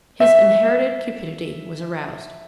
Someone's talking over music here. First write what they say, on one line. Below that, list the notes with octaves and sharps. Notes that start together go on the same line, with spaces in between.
His inherited cupidity was aroused.
E5